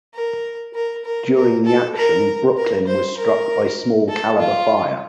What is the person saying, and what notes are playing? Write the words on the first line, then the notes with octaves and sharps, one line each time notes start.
During the action, "Brooklyn" was struck by small caliber fire.
A#4
A#4
A#4
A#4
A4
A#4
A#4
C5
A#4
A4
F4